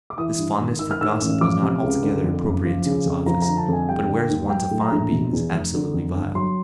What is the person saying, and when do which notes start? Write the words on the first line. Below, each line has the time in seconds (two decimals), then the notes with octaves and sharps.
This fondness for gossip was not altogether appropriate to his office, but where is one to find beings absolutely vile?
0.10 D6
0.18 E3 D#6
0.38 G2
0.60 G#1
0.79 D#3 E6
0.91 F6
1.01 G#2 E6
1.21 A1
1.41 F3 D6
1.61 C3
1.83 C#2
2.03 D3
2.24 F2
2.44 F#1
2.65 F3
2.86 C#3
3.06 F2
3.26 F3 A#5
3.42 A#5
3.48 D3
3.57 A5
3.68 F2 G#5
3.88 G3 G5
4.09 D3
4.29 D#2
4.50 F#3 G5
4.71 A2
4.81 A#5
4.91 A#1
5.12 B2
5.33 E2
5.53 F1
5.74 D3
5.94 F2
6.15 G1
6.35 F#3 C6